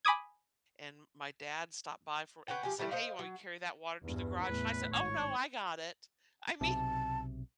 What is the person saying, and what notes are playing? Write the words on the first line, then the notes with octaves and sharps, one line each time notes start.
and my dad stopped by for and he said, "Hey, you want me to carry that water to the garage?" And I said, "Oh, no. I got it." I mean
G#5 B5 D6 D#6 G#6
B4 C#5 F#5 G5
F3 G4 G#4
D3 G3 A3 E4
C5 D#5 F5
F#3
E2 G2
E2 A2 B4
G#1 C#5
B1 C3 A5